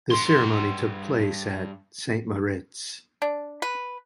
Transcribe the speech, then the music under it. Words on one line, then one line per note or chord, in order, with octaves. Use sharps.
The ceremony took place at Saint Moriz.
G2 C6
D4
B4